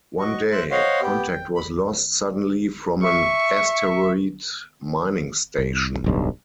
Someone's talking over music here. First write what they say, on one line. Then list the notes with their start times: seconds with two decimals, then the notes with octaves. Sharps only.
One day, contact was lost suddenly from an asteroid mining station.
0.19 F#4 D#5 C#6
0.52 C5 E5 F#6
0.71 C5 C#5 D#5 F5 F#5 C6
1.02 B3 G4
1.30 G5
1.56 B5
3.03 E5 C#6
5.59 C2
6.04 D1 B1 G2